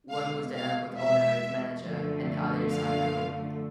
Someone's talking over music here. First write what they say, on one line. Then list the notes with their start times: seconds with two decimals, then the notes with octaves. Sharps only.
One was the airport owner and manager and the other is unknown.
0.10 E2 B2 G#3 F5
0.54 F5
0.97 E5
1.83 F#2 D3 F3 A3
2.69 F5